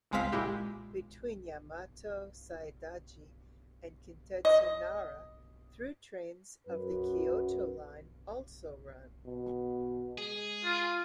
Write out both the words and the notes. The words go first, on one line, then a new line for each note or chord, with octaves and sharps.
Between Yamato-Saidaiji and Kintetsu Nara, through trains of the Kyoto Line also run.
G1 C#2 G#3 C4 F5 B6
A#2 G#3 E4 G4
D#5
F#2 B4
B2
G#3 G#4
F4